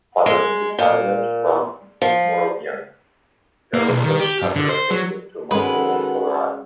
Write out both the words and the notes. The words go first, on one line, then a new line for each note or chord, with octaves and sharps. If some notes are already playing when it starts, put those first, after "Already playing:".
Following retirement from Moravian, the Rokkes have relocated to Monument, Colorado.
G#3
A#2
F3
A#3
B1
D#3
G4
F#2
D3
C5
F#3
D#3 G#3 C#4 F#4 A4 B4 F#5